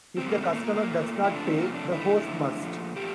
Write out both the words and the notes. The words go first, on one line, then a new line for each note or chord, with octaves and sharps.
If the customer does not pay, the host must.
E2 C3 G3 C4
A#3
A3
A#2 A3 A#3
A#3
A#3
A#2 A3
F2 C3 F3 A3 E4
D4
C4
F2 C3 F3 A3 A#3
D4
F2 D3 A3 E4
F2 D3 A3
A#2 F3 A3
A#2 F3 A3 G4